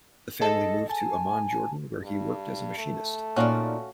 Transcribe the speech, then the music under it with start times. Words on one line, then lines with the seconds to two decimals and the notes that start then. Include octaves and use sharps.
The family moved to Amman, Jordan, where he worked as a machinist.
0.41 G#4 A4 D#5 A5
0.90 G#5 A5
2.04 G2
2.78 A3
3.36 A#2 C#4 D#4 F#4 D5 F5